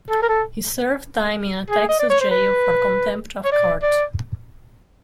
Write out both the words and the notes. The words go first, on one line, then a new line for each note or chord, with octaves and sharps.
He served time in a Texas jail for contempt of court.
A4
A#4
A4
G#4
D#5
D5
C#5
C5
B4
C#5
D5
D5